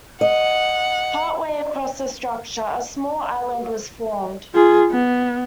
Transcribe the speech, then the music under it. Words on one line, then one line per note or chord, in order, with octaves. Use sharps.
Part way across the structure, a small island was formed.
D#5 F#5
F4 G#4
B3